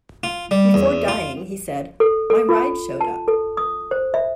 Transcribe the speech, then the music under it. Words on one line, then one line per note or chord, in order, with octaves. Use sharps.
Before dying, he said: My ride showed up.
F4
G3
E2
F4
A4
A4
F4
A5
A4
D#6
C5
E5